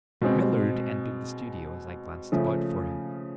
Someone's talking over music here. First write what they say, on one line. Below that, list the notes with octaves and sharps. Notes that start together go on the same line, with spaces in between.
Millard entered the studio as I glanced about for him.
B2 G#3 C4
C#3 F3 A3 C#4